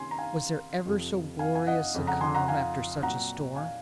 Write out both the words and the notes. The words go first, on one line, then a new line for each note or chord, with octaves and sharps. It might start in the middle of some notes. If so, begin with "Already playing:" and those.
Was there ever so glorious a calm after such a storm?
Already playing: C3 D#3 A#3 C#4 G#5 C6
A#5
F5 G#5
F2 C3 F3
F5 G#5
G#5
D#5 F#5
F2 C#3 F3
F#5 A#5
G#5 C6
F#5 A#5
F5 G#5
A#2 F#3 C4 F#5 A#5
F5 G#5